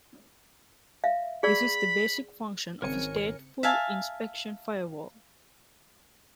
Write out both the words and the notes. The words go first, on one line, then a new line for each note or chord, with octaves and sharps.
This is the basic function of a stateful inspection firewall.
E5 F5
G#4 D5 B5 E6
G#1 C#3 C4 A#4 C#5 G#5 C#7
E5 F5 G#5 A5